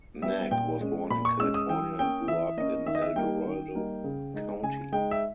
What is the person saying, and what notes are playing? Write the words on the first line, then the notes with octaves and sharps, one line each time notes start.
Nag was born in California and grew up in El Dorado County.
G3 B3 E5
A#2 G5
G#3 C#4
A#2 B5
C#6
G#3 C#4 E6
D#6
E3 G5
A#3 C#4 G5
E3 E5
A#3 C#4 D#5
D#3 E5
D#5
E5
G3 A#3 D#4 G5
D#3
G3 A#3 D#4
C#3
G#3 D#4
C#3 G#5
G#3 D#4 G5
E5